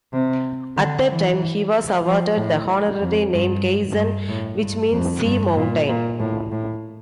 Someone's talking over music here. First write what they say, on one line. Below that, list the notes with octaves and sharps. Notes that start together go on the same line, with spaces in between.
At that time he was awarded the honorary name "Kaizan," which means Sea Mountain.
C3
D3
E3
F3
A2
F2
G2
G2
A2
G2
F2
G2
A#2
A#2
A2
A2